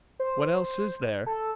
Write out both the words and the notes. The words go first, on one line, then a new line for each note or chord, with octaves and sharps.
"What else is there?"
C5
A4